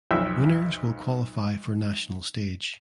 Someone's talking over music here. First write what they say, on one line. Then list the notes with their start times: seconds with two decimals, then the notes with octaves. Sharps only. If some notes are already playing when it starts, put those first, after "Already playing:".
Winners will qualify for National Stage.
0.11 B1 F2 E5 G5